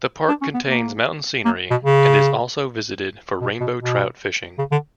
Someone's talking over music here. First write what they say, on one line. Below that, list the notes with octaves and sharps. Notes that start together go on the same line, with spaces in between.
The park contains mountain scenery and is also visited for rainbow trout fishing.
D4
C#4
B3
A#3
A#3
B2
C#3
B2
B2
B2
C#3
D3